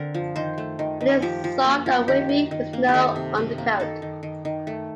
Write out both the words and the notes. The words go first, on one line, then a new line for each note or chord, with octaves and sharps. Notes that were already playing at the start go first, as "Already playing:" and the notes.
It is soft and wavy with no undercoat.
Already playing: D3 C4 A#4
F3
D#3 C5
A3
D#3
D#3
F3 G4
F3
A#3
F3
D#3 G4
D#3
D#3
A#3
G4
D#3 A4
C3
C3
A#3
D#3 A4
D#3
D#3
D#3
A3